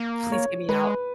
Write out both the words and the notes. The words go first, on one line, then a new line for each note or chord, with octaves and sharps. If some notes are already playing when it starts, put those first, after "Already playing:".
please get me out."
Already playing: A#3
C#5
G#3 B4